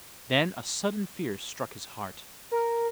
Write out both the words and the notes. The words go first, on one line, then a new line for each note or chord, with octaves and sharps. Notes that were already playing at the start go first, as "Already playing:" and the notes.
Then a sudden fear struck his heart.
A#4